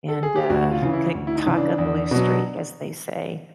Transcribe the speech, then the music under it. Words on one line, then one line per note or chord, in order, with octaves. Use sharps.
and, uh, could talk a blue streak, as they say,
A4
G#4
G4
D2 F#4
F4
C#3 E3
E4
D2
E4
D#4
C#3 E3
D4
E2
B2 F#3